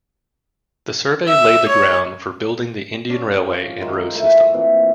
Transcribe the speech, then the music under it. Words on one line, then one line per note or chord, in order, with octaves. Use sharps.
The Survey laid the ground for building the Indian railway and road system.
E5
C#5
C#4 D5 A5 C#6
F3
D#3 G#3 C6
A3 E4 A4
A#2 E3 C4